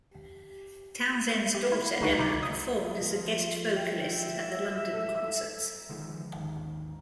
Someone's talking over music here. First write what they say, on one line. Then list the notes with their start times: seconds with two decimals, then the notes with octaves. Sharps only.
Townshend's daughter Emma performed as a guest vocalist at the London concerts.
1.54 G4
1.72 E4
2.01 D2 D3 D#4 F#4 B4 D7
2.19 C2 D#4 D6 G#6
2.43 D#6
3.00 F3
3.77 G5
4.17 E5
4.93 A4
5.89 D3 D#3 F3 G#3
6.35 G#1 D#2 D#3